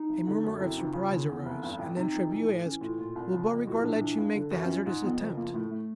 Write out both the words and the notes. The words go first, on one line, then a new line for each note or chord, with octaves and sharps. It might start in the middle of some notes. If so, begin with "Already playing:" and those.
A murmur of surprise arose, and then Trabue asked: "Will Beauregard let you make the hazardous attempt?"
Already playing: D#4
F1
D3
F#2
C3 E4
C#2 D#4
C#3 F4
D#2 F4
E2
F1
G2
A1
C3 D#4
F2
E3
A2
E3 C#4
A2 F4
A#2 F4
C2
C#3
F2
A2 F#4
A#1 D4
E3
G2
D3
F#2
C4
F3 C#4
G#2
F2 B3
F#1 F3
F3 A#3
A2 A3
A3